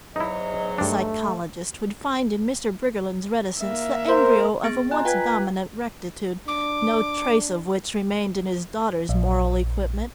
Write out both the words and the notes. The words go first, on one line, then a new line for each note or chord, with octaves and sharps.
The psychologist would find in Mr. Briggerland's reticence the embryo of a once dominant rectitude, no trace of which remained in his daughter's moral equipment.
E2 G#2 F#3 D#4 E4 D#5
G2 A3 D4
A#3 E5
A#4 C5
B3 G#4 A6
F4 D#5 G#5 A#5 F#6
F4 B4 F5 G5 A#5 G#6
D4 D6
A#1